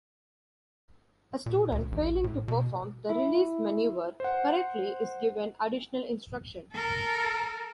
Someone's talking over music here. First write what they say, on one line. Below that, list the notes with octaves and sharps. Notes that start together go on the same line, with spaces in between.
A student failing to perform the release maneuver correctly is given additional instruction.
A#2
D2
A1
A2
B2
E4
C5 F#5
A4 A#4